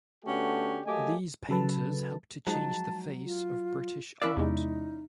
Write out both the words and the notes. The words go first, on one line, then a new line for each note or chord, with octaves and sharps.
These painters helped to change the face of British art.
D3 A3 B3 C#4 F#4 G4
F#3 A3 A#3 G4 D#5 G#5
C#3 F#3 A4 B4 A5
F3 F#3 G#3 D#4 A5
F4
C#4 E4 A#4 D5 F5 E6 F#6
E2 C3 G#3 D#4